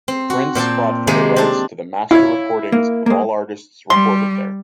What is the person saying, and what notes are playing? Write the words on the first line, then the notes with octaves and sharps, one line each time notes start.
Prince fought for the rights to the master recordings of all artists recorded there.
C4
F#4
A#2 C4 G5 A5
C3 D#3 G#3 A#3 G#4
C4 D4 A5
E4 C#5 F5
A#3
G#3 A#3
G3 C6